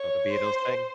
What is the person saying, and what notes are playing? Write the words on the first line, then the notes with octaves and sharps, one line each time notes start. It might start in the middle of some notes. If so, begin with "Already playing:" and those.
Oh, the Beatles thing?
Already playing: C#5
C5